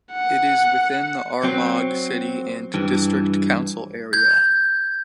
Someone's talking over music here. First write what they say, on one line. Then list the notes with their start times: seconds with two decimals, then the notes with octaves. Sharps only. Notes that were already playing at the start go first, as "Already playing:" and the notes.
It is within the Armagh City and District Council area.
0.13 F#5
1.43 F#3 C4
2.74 G2 E3
4.13 G6 G#6